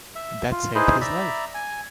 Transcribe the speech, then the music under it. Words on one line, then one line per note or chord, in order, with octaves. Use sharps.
That saved his life.
E5
F4
D#4 E4 G#4 B4 C5 D#5
D5 E5 A#5 B5
G#5